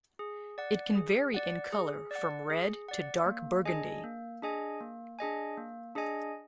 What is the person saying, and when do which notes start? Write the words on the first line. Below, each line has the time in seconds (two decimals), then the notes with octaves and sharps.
It can vary in color from red to dark burgundy.
0.19 G#4
0.58 D5 F#5
0.95 G#4
1.34 D5 F#5
1.73 G#4
2.11 D5 F#5
2.50 G#4
2.89 D5 F#5
3.26 A#3
3.65 D4 G#4 D#5 G#5
4.04 A#3
4.42 D4 G#4 D#5 G#5
4.81 A#3
5.19 D4 G#4 D#5 G#5
5.57 A#3
5.95 D4 G#4 D#5 G#5